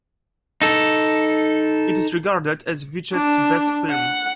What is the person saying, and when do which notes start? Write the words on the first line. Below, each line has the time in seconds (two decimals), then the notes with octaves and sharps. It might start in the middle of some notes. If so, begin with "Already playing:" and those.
It is regarded as Vichet's best film.
0.62 D#4 A4
3.13 D4
3.91 F#5